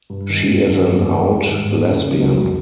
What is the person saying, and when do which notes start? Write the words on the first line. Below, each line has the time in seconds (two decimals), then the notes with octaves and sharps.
She is an out lesbian.
0.10 G2
0.30 D#3
0.50 G3
0.70 G2
0.90 A#3
1.10 D#3
1.30 G3
1.51 G#2
1.71 A#3
1.91 C#3
2.11 F#3
2.31 F2